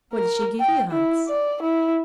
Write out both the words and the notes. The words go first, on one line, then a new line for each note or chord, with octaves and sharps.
'What did she give you, Hans?'
A#4
G5
E4
D5
E4